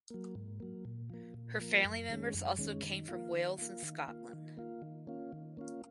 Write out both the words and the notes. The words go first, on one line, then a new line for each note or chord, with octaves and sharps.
Her family members also came from Wales and Scotland.
F#3 A#3
G#2
F#3 A#3
A#2
F3 A#3
A#2
F3 A#3
F#2
D#3 G#3 C#4
F#2
D#3 G#3 C#4
D#3
A#3 F4
D#3
A#3 F4
D#3
A#3 F4
D#3
A#3 F4
D#3
A#3 C#4 F4
D#3
A#3 C#4 F4